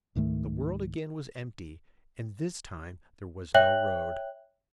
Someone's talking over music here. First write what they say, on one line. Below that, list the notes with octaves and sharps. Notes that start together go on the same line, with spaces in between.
The world again was empty, and this time there was no road.
C#2 G#2 D#3 A3
C#5 E5 G5 F#6 F#7